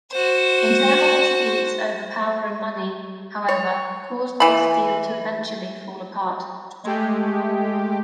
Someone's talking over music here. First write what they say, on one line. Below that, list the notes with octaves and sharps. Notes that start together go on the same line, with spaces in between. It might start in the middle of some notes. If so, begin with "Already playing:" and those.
Internal disputes over power and money, however, caused this deal to eventually fall apart.
F#4 C5
C#5
E3 B5
G#3 A3 G4